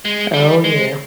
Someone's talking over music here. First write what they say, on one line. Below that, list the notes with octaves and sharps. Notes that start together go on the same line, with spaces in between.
Oh, yeah.
G#3
G3
G#3